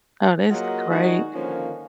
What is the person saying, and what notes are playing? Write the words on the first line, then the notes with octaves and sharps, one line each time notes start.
Oh, that's great.
F#3 A#3 F4 G#4 D#5 F#5
D#3 G3 G#3 D#4 F#4 G#4
D3 D#3 F3 A#3 C#4